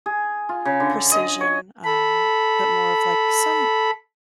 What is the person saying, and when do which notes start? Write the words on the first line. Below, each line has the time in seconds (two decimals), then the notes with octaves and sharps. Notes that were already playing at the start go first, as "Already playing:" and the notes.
precision, um, but more of, like, some
0.06 G#4
0.49 F4
0.65 C#3
0.80 D3
1.12 D#5
1.41 C#5
1.84 A4 B5